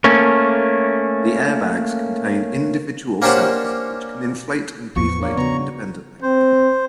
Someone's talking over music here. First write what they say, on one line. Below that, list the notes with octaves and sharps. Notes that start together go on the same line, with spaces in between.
The airbags contain individual cells which can inflate and deflate independently.
A3 A#3 C#4
A#3 C#4 D4 G4 C5 F#5
E2 A2 F3 B3 C#6
A#3 D4 C#5
C#3 B3 F#4 A#5 C#6
C4 C5